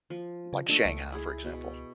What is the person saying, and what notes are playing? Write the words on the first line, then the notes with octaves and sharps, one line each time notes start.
like Shanghai, for example.
F3
C#3
A3 D4 D#5 E5
C#2
E4 G#4
B2